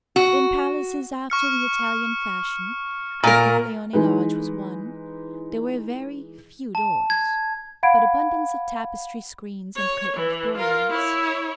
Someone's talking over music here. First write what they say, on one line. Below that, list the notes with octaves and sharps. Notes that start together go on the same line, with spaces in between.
In palaces after the Italian fashion, and Corleone Lodge was one, there were very few doors, but abundance of tapestry screens and curtained doorways.
F#4
C#6 F6 C#7
A#2 A#4
E3 G#3 D#4 B4
A5
G#6
F5 F#5 B5 G#6 D7
C#5
E3
F4 A#4
E4 C#5